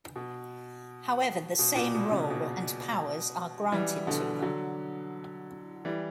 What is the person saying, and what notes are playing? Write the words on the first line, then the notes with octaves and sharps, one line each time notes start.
However, the same role and powers are granted to them.
B2
B2
A#2
B2
A#2 C#3
B2
E3 G3
B2 D3
D3 F#3
E3 G3